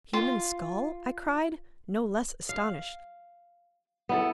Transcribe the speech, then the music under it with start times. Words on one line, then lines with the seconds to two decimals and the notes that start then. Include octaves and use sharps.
"A human skull?" I cried, no less astonished.
0.13 F4
2.49 F5
4.09 B3 E4 A4